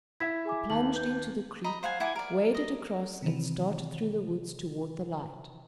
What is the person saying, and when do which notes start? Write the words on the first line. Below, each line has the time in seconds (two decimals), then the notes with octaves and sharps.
He plunged into the creek, waded across and started through the woods toward the light.
0.20 E4 E5 G#6 B6
0.45 G#4 G#5 D6
0.70 D#2 A5 F#7
0.94 B4 G6
1.64 D#5 A#5 B5
1.83 C5 F5 F#5 G#5
2.00 E4 F#5 G#5 D6
2.16 A#4 D5
2.54 D#5
3.22 C3 D#3 E3